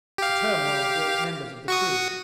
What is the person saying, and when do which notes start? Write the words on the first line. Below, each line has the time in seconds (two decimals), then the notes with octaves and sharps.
The turmoil brought members of the crew.
0.18 G4 F5
1.68 F#4 C#6 D#6